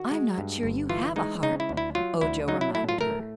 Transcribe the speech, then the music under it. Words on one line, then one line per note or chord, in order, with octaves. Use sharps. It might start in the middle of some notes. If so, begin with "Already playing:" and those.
"I'm not sure you have a heart," Ojo reminded her.
Already playing: D#3 F#4
G#3
G2
G1
E3 F4
G#3 D#4
C#3 D#4
E4
D2
E4
F#3 F4
D2 E4
F#3 D#4
E4
A2 E4
F4
A3 A#4